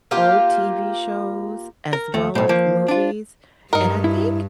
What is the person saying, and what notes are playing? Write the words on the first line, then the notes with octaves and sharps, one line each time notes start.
old TV shows as well as movies, and I think
A#3 F4 G4
A#4
D#2 A3
B1 A2 C5
F3 A#3
D4 F4
G2 D#4 A#4
E4